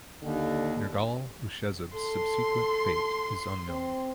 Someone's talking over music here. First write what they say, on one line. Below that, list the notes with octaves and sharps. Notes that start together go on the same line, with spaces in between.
Nergal-ushezib's subsequent fate is unknown.
D#2 D3
A4 C6
C4